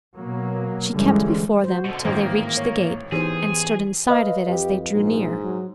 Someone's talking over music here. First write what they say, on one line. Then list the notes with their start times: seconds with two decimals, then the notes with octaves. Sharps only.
She kept before them till they reached the gate, and stood inside of it as they drew near.
0.16 B2 F#3 A#3
0.95 G2 D3 E3 G3 G#3 C#4
1.64 F#4 C5
1.85 B2 D3 C#7
2.05 A1 G#2 D#3 A#3 C5
2.57 C#5
3.12 E3 B3 D#4 G4 G#4 C5
4.09 B4 D#5 F5
4.48 F2 G4
4.93 A#1 G#2
5.44 F#3